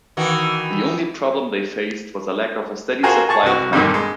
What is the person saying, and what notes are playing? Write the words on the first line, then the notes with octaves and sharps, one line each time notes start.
The only problem they faced was a lack of a steady supply of metal.
D#3 E3 F#4
F4 F#4 G#4 A#4 C5
G#4 A5 C#6
C2 F#4
G2 A#2 D3 D#3 G3
G#3